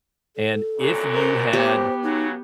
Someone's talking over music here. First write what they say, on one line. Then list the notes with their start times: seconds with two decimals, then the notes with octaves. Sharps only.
And if you had
0.36 A4
0.78 C2 F#2 A#2
1.13 A#4 C5
1.53 B3 G4 C5
2.03 C#3 F#3 D#4